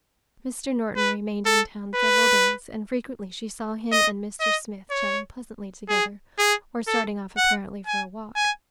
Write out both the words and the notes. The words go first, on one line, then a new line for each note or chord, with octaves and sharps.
Mr. Norton remained in town several days, and frequently she saw him and Mr. Smith chatting pleasantly together, or starting off apparently for a walk.
B4
A4
B4
D#5
D#5
C#5
G#4
G#4
A4
F#5
G#5
G#5